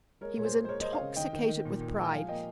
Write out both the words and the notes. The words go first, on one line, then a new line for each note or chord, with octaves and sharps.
He was intoxicated with pride.
G#3 A#4 C#5
A#2 C#5
G#4 C5
A#2
C5
G#3 A#4 C#5
C5 D#5
G#3
C#5 F5
C#3
D#3 D#5 G5
D#3
D#3
A#2
A#2
G#3
G5
F3 F5 G#5
A#3 D#5 G5